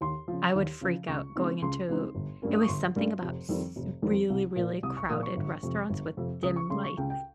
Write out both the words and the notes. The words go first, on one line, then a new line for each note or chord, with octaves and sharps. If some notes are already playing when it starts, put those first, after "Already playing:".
I would freak out going into it was something about s really, really crowded restaurants with dim lights.
D#2 C6
C#3 F3
D#2
C#3 F3
C#2 C#6
C#3 G#3 C4 D#4
C#2 C6
C#3 G#3 C4 D#4
G1
G2 G3 A#3 C#4
D#6
C#6
G1 C6
G2 G3 A#3 C#4
F1
F2 D#3 G3 C4
F1
F2 D#3 G3 C4
C2
A#2 F3 A#3
C2 D#6
C#6
A#2 F3 A#3 D#6
C#6
G1
F2 C3
G1
F2 C3
C#2 D#6
C#6
C#3 G#3 C#4 C6
C#6
C#2 G5
G5